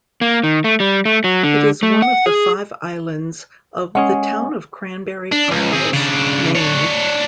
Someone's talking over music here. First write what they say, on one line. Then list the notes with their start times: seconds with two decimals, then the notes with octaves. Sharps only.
It is one of the five islands of the Town of Cranberry Isles, Maine.
0.21 A#3
0.44 D#3
0.64 A3
0.80 G3
1.05 A3
1.24 F#3
1.44 D3
1.83 A3
2.02 F#5
2.26 G#4
3.95 G#3 C#4 G#4 F#5
5.32 D4
5.51 C#2
5.73 C4 G#4
5.93 C#3 D4
6.55 D4 C#5